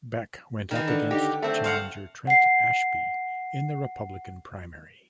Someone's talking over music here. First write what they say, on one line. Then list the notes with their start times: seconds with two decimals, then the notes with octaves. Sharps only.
Beck went up against challenger Trent Ashby in the Republican primary.
0.71 D#3 E3
0.88 D3
1.11 D#4 G4
1.42 A3 C4
1.64 C5 F5 F#5
2.27 F#5 C7